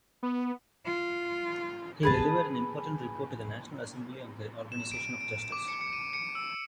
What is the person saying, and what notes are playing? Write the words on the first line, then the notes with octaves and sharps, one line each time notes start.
He delivered an important report to the National Assembly on the organization of justice.
B3
F4
G#4 B4 A5
E7
D7
D7
D6
C#7
C#7
D#7
C#7
E6